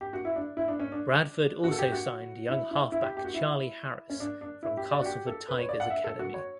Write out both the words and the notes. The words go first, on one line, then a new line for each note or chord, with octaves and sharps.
Bradford also signed young halfback Charlie Harris from Castleford Tigers academy.
G4
F#4
E4
D4
E4
D4
C#4
D4
F#4
A4
G4
F#4
E4
E4
E4
G4
G4
F#4
E4
C#4
D4
D4
E4
G4
D5
F#4
G4
A4
B4
C#5
D5
F#5
E5
A4
F#4
C#5